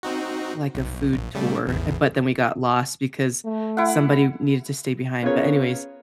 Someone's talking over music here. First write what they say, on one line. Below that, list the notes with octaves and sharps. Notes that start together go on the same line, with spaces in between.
like, a food tour, uh, but then we got lost because somebody needed to stay behind. But, anyways,
C4 D#4 F#4
B1
A#1
C#3 G3 A3
A1 E2
A3
E4 F#5
B3 C#4 F4 G#4 A#4 C#5